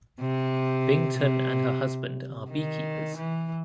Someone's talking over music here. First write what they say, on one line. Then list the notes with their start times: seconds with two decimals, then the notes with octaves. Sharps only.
Byington and her husband are beekeepers.
0.20 C3
1.18 C3
2.51 D#3
3.17 E3